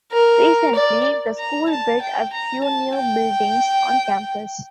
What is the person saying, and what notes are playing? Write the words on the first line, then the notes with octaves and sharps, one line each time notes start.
Recently, the school built a few new buildings on campus.
A#4
D5
A#5
A5
G5
A#5
A5
G5